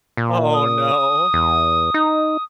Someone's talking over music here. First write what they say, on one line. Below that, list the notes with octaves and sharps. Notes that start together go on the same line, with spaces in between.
Oh, no.
A#2
D#6
E2
D#4